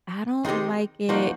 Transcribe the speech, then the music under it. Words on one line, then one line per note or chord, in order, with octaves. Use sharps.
I don't like it
D#3 G#3 C4 D#4 G4
F3 A#3 D#4 F#4